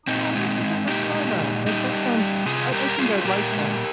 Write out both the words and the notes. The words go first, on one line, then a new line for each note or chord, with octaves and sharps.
Oh, I don't think I ever saw that. I that sounds I I think I'd like that.
A#2 C4 D#4
G#3
G#3
A#2 D#4 G4
G#3
A#2
G3 D#4 G4
G3
G3
C3 F4 G#4
G3 G4 A#4
A#4
G3 F4 G#4
C5
A#2 G4 A#4
G#3